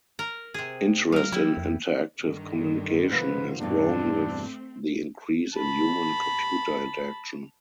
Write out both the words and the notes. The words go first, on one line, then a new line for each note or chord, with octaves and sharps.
Interest in interactive communication has grown with the increase in human-computer interaction.
A#4
C3 G#4
G3 A#4 F5
F#3 G3 E4
F2
G2 D3 D#3
C3 F3 B3 B4
E2 G2 B2 A3 C4 D4
A5 B5